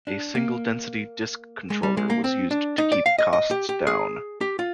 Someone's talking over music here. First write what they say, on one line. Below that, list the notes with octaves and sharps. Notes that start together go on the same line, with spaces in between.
A single-density disk controller was used to keep costs down.
D4
A#3
G#3
G3
G#3
A#3
C4
D4
D#4
D5
F5
D#5
D#5
G4
G4
G#4
G4
F4